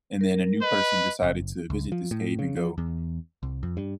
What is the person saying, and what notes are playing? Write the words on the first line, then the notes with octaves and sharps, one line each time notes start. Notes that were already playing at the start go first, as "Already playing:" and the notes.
and then a new person decided to visit this cave and go,
A#4
B4 D#5
F#1
C#2
F3
A2
C#3
F3
E2
C2
F2
G2